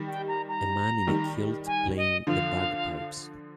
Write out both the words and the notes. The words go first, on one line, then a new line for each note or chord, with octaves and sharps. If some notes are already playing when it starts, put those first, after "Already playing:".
A man in a kilt playing the bagpipes.
Already playing: D#3 G3
G5
A#5
A#5
D#3 G3
G#5
D#5
D3 F3 F5